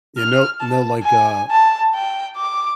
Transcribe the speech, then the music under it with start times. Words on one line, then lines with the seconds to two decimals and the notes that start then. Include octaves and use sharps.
You know no, like, uh,
0.18 F6
0.60 A5
1.03 G#5
1.51 A5
1.95 G5
2.36 D6